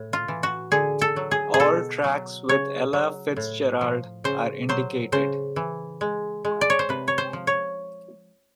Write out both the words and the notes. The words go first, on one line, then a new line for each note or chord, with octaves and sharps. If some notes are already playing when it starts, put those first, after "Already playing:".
All tracks with Ella Fitzgerald are indicated.
Already playing: A2
F4
E3
F#4
D3 G#4
A4
F#3
G#4
G#4
B2 A4
F#3
C#3 C#5
F#3
A2
F3
C#3 C5
F#3 C5
C#3 C5
E3
G#3
G#3
D5
C#5
C5
C3 B4
C#5
C5
F3
C#5